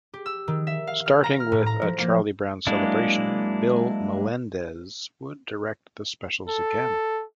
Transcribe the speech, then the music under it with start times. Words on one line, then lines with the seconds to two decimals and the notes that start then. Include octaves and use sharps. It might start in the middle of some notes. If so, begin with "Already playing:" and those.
Starting with "A Charlie Brown Celebration" Bill Melendez would direct the specials again.
0.14 G4
0.26 E6
0.48 D#3
0.67 E5
0.87 F5
1.06 F6
1.24 A#5
1.40 F6
1.52 A2
1.66 A#5
1.82 F3
1.99 A#3
2.67 F#3 G#3 A#3 D4 E4
6.48 A4